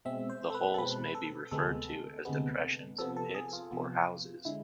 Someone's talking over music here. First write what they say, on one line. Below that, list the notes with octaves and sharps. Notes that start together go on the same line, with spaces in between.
The holes may be referred to as "depressions", "pits", or "houses".
B2 G#3 C4 E5
C5
A4
B4
A4
B2 G#3 C4 B4
A4
D2 C3 G#3 B3 A4
D2 C3 G#3 B3
C3 F3 B3 A4
A4
G#4
F4
C3 F3 B3
D3 G#3 E4